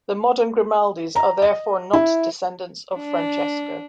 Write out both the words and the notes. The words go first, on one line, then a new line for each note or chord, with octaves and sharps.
The modern Grimaldis are therefore not descendants of Francesco.
A#5
D#5
E4
D4